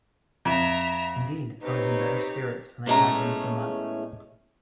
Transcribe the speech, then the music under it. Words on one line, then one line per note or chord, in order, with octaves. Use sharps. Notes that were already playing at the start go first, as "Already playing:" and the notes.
Indeed I was in better spirits than I had been for months.
F2 E5 A#5
C4 D#4 G4 B4 C#5
E2 A2 G#3 A3 C#4 A#5